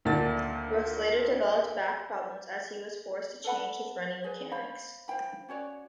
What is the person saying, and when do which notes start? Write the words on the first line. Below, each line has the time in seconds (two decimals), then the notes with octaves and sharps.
Brooks later developed back problems as he was forced to change his running mechanics.
0.05 D2 A#2 D#3 D4 A6
3.44 A4 B4 F#5 B5
4.24 G#4 B4
4.52 C5 C#5 F5 B5
5.08 C5 F5 G5 B5
5.48 C#4 F#4 C#5 D5